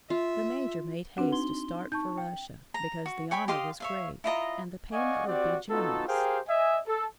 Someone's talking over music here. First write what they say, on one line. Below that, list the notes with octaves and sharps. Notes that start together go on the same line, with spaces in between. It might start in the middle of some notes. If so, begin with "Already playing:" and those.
The major made haste to start for Russia, because the honor was great, and the payment would be generous.
F4 E5
C4 D4 F#4 B4 F#5
D#4 C6 G7
D#4 A5 C#6 G6
G5
A#5
F#4
C#5 G5 G#5 B5
G4 D#5 F5 C6
C#5 E5 F5
E4 F4 D#5 A#5
D5 D#5 F5 F#5 G#5 C#6
C4 F#4 G4 D5
B3 D#4 F4 F#4 A4
G4 G#4 A#4 C5 F5 G5
D#5 E5 G#5
A4